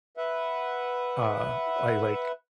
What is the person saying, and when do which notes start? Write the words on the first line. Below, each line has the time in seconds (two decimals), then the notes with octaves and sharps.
Uh, I like
0.17 B4 E5 F#5